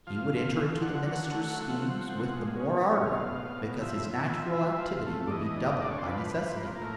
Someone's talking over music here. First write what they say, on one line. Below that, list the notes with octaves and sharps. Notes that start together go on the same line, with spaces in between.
He would enter into the minister's schemes with the more ardor, because his natural activity would be doubled by necessity.
F3 F5
F3
F3
D3 F#5
F#3
A3
F3
C4
F3
G#3
C#4
C#4
B2 F5
B2
B2
F3 E5
F3
F3
F3
F4
A3
D5
E3 D#5
D4
D4 D5
C#5
C5
F3 B4
F3
A#3
A2 A#4